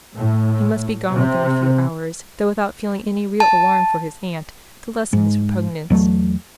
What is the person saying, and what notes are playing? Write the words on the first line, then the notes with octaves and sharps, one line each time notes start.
He must be gone within a few hours, though without feeling any real alarm for his aunt, to lessen his repugnance.
A2
C3
A5
G#2
E2 F#3 A3